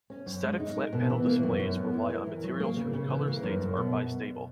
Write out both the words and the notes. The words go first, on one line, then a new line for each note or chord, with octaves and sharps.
Static flat-panel displays rely on materials whose color states are bistable.
C#4
F#2
G#3
D#4
A#4
B2
E3
A#3
F#2
F#2
B3
E4
A#4
E3
F#3
A#3
C#3
C#3
E3
A#3
F#2
F#2
B2